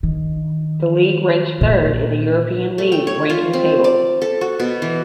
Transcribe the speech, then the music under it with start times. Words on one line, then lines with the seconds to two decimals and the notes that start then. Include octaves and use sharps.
The league ranks third in the European league ranking table.
0.03 D#3
1.61 A#2 A#3
2.78 A3
2.92 G5
3.07 C#5
3.30 F4
3.53 C4
3.84 D5
4.22 A4
4.41 F#4
4.60 B2
4.82 E3